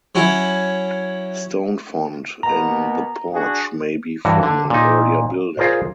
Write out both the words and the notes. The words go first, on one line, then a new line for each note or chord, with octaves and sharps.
The stone font in the porch may be from an earlier building.
F#3 C#4 E4
B2 A#3 B3 A#5
D4 F#4 G#4
G2 E3 F#4
D3
A#2 D#4
F4 G#4 A#4 C5 D5